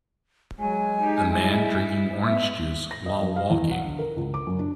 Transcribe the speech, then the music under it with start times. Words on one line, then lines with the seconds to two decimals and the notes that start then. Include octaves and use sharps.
A man drinking orange juice while walking.
0.60 F#3 G#3 G#5
1.02 D#4 G4
1.31 G3 E4
2.25 G#3 B3 E5
2.91 A#6
3.06 D#5
3.21 F#2
3.36 F5
3.50 E2
3.71 F#5
3.83 D3
3.99 A#4
4.17 C#2
4.34 D6
4.47 F#2
4.59 D4